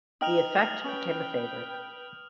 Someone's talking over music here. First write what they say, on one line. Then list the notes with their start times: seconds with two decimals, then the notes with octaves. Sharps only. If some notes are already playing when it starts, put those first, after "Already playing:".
The effect became a favourite.
0.21 D#4 D#5 G5 D#6 F6 F7
0.84 C#4 B4 G5